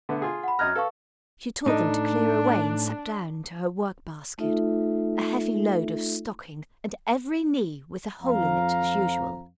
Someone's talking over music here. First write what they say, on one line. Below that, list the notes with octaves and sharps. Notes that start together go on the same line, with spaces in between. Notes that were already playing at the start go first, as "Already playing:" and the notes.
She told them to clear away, and sat down to her work-basket: a heavy load of stockings and every knee with a hole in it as usual.
D3 A3 B3
F4 G#4
F#5 B5
F#2 D#5 A#5 F6 F#6 G#6
A4 B4 F5 C#6
A2 D4 D#4
A3 D#4 F4 A4 E5
F2 F3 F5 A#5